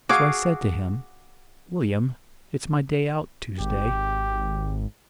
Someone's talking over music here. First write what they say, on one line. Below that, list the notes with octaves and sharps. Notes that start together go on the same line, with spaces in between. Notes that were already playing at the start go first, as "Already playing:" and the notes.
So I said to him, 'Willyum, it's my day out, Tuesday.
F#4 G#4 F5 D6
G#1 G4